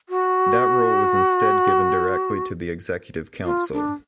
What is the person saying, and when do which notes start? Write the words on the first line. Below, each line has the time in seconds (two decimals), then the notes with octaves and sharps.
That role was instead given directly to the Executive Council.
0.09 F#4
3.45 F4
3.73 D4